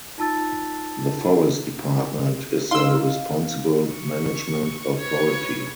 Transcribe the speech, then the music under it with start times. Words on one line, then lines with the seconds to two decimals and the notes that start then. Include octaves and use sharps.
The Forest Department is the responsible management authority.
0.18 D#4 F4 A5 E6 A6
2.71 D#4 F5 C6 E6
3.91 C#6
4.98 B4 C#5